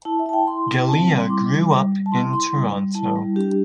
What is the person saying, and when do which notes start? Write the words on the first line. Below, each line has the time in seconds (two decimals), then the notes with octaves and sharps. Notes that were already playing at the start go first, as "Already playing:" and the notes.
Galea grew up in Toronto.
0.05 E4 A5
0.19 E5
0.26 E4 A5
0.33 G5
0.47 E4 C6
0.68 E4
0.88 C4 A5
1.08 G3
1.20 C6
1.29 E4 D6
1.50 G3
1.71 G3
1.92 G3
2.06 A5
2.12 E4 C6
2.33 E4 C6
2.53 G3
2.75 G3
2.95 E4 A5
3.16 G3
3.36 D4 G4